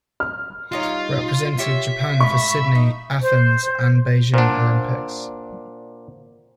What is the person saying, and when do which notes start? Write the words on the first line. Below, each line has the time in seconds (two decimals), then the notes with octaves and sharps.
Represented Japan for Sydney, Athens, and Beijing Olympics.
0.20 F6
0.72 G3 D#4 F4 C#5 C6
1.59 F4 G4 C#5 E5
2.20 G#2 F4 B5 C#6
2.75 D#4
3.22 C5
4.34 A#2 D4 C5 F#5